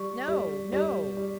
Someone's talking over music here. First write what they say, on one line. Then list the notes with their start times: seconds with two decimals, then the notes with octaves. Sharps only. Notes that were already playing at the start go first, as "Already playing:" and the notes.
"No, no!"
Already playing: G3 C#6
0.28 G3
0.73 G3
1.17 G3